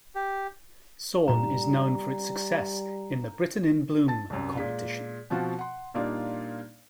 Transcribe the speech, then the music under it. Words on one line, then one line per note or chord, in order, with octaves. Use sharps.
Sorn is known for its success in the Britain in Bloom competition.
G4
G2 A#2 G3 A#5
A5 A6
C2 F#2
A#2 G#3 B6
B2 F3 C4 F4 F#4
F#5 C6
A#2 G3 A#3 D4 D#4 F4